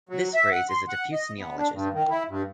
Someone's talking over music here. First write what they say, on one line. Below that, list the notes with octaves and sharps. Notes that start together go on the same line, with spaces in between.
This phrase is a diffuse neologism.
F#3
E5
F#5
C6
F#5
D#5
B3
D4
G2
D#3
E4
G2